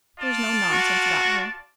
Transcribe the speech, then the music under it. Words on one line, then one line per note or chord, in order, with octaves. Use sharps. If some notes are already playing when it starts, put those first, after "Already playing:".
"There is no nonsense about her."
F4 D5 A5
F#4